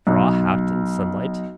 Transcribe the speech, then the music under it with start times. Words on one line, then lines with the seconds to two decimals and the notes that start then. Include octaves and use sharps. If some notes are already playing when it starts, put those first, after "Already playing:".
Straw hat in sunlight.
0.07 B1